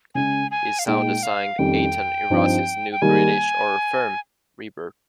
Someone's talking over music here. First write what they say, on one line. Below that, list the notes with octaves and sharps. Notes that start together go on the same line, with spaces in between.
He sound-designed Aitan Errusi's new British horror film "Reverb".
C#3 G#3 C#4 G#5
G#5
F5
A#2 G#3 D#4 G5
F5
F2 D#3 G3 C#4 G5
G2 F3 C4 D#4
G5
D#3 G3 A#3 G#5